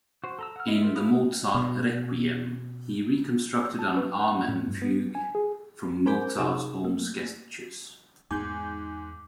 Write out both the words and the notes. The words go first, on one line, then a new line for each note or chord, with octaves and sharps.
In the Mozart "Requiem", he reconstructed an "Amen" fugue from Mozart's own sketches.
F#4 C5
A4 A#5 E6
F#5 F6
E4 D#5 E5
F4 A#4 E5
D4 E4 F5 B5 D#6
B2
A5
B4
F#5
A2
G2
B3
G#5
G#4
A#4 C5 G#5 B5 D6 G6
C3 D#4 G#4 E7
A3 A#3
E2 G#2 G#3 B3 G#5 D6 G6